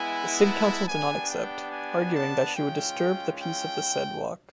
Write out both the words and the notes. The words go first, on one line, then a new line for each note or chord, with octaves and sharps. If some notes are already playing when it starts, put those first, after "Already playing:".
The city council did not accept, arguing that she would disturb the peace of the said walk.
Already playing: G#3 B3 E4 G#5
A5
B3 D4 G4 G#5
G5
G#5
A5
G#3 C#4 F4 G5
G5